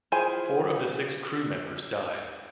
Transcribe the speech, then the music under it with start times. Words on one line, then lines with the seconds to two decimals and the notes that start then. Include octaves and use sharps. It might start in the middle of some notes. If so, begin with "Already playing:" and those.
Four of the six crew members died.
0.12 E4 F4 G#4 C5 G#5